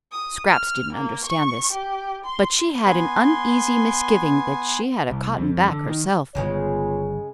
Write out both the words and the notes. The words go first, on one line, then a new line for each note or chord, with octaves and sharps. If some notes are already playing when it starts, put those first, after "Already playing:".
Scraps didn't understand this, but she had an uneasy misgiving that she had a cotton back herself.
D#6
F6
A#3
C#6
G4
C6
B3 G#5 C6
C2
F2
D3
D#3
G1 C#3 F#3 G#3 B3 F4 C#5